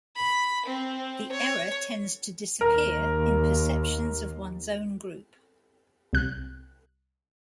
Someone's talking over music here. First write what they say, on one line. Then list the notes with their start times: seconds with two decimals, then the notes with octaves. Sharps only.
The error tends to disappear in perceptions of one's own group.
0.16 B5
0.65 C4
1.32 C#5
2.61 D#2 A#4
6.13 C2 F#6